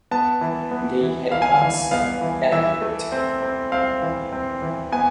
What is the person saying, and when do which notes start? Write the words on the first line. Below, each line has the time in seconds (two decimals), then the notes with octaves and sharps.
They had one son, Elliot.
0.11 B3 A5
0.41 E3
0.71 B3
1.01 E3
1.31 E3 F5
1.42 G#5
1.51 F5
1.62 E3
1.91 B3 F5
2.21 E3
2.52 E3 E5
2.82 A3
3.12 C4
3.42 C4
3.72 C4 F5
4.02 E3
4.32 C4
4.62 E3
4.92 B3 G#5